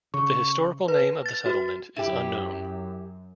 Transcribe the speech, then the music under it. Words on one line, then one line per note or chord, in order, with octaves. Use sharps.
The historical name of the settlement is unknown.
C#3 C#6
B4
A6
F#4
F#2 E4 G4